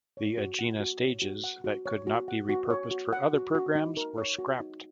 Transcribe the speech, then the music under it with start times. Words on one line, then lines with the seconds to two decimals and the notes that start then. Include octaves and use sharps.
The Agena stages that could not be repurposed for other programs were scrapped.
0.17 C#5
0.38 F#4
0.59 F#5
0.80 F#4
1.01 C#5
1.22 F#4
1.44 F#5
1.64 F#4
1.86 C#5
2.07 F#4
2.28 F#5
2.49 F#4
2.70 C#5
2.91 F#4
3.13 F#5
3.33 F#4
3.55 F#4
3.75 D#4
3.97 A#4
4.18 C#5
4.39 F#4
4.60 D#4